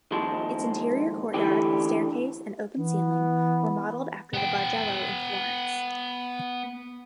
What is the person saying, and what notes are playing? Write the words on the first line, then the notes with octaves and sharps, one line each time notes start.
Its interior courtyard, staircase, and open ceiling were modeled after the Bargello in Florence.
D#2 G#2 F3 G#3
D2 D3 E3 G4
E3 B3
B3 G5